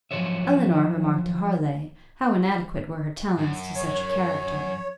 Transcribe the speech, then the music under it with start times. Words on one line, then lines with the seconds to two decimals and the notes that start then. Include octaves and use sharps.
Elinor remarked to Harleigh, how inadequate were her talents to such a character.
0.11 F3 F#3 A4 C5 C#5 E5
3.38 F#2
3.75 C#5